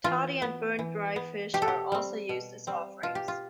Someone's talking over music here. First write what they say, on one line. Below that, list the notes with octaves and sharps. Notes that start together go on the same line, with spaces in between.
Toddy and burnt dry fish are also used as offerings.
E3 F4
B3
E3
B3
B2 G4
A4
G4
G3 C4
B2
G3 C4
B2 F4
G4
F4